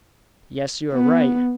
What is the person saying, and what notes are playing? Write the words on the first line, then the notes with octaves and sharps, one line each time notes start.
"Yes, you are right."
B3